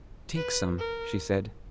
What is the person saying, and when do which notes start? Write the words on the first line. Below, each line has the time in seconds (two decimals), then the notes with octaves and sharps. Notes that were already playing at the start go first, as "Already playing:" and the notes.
"Take some," she said.
0.36 B4
0.78 A#4